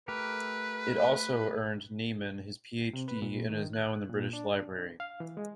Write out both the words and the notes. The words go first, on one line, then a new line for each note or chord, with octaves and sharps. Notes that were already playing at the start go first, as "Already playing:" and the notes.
It also earned Niemann his Ph.D. and is now in the British Library.
A3 G4 A#4 B4
C3
B4
A#2
D#3
F#6
A#2
D4
F5
E3
G#3